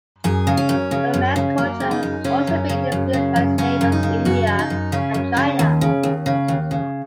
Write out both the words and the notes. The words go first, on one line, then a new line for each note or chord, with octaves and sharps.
Burmese culture has also been influenced by its neighbours India, and China.
F#2 G#4
C#3
C#4
F#2
C#3
F#2
C#3
F#2 A#3
C#3
D#4
F#2
C#3 C#4
F#2
C#3
F#2
C#3
F#2
C#3 C#4
F#2
D#4
C#3
F#2 F#4
C#3
D#4
F#2
C#3 C#4
F#2
C#3
D#2
C#3
D#2
C#3
D#2
C#3